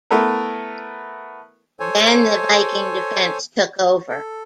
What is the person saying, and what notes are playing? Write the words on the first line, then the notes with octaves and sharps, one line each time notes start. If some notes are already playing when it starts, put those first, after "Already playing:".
Then the Viking defense took over.
A3 B3 E4 A4 A#4
A4 C5 C#5 G#5
A4